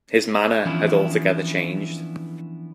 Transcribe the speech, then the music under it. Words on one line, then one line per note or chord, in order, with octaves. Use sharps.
His manner had altogether changed.
E3 F3 B3 C#4 D4 E4